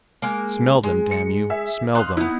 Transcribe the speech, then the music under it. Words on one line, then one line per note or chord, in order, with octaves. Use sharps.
Smell them, damn you, smell them.
G#3 A#3
G#3
C#7
G#4 E5
D#4 F5 C6 F#6
B3 D#4 E4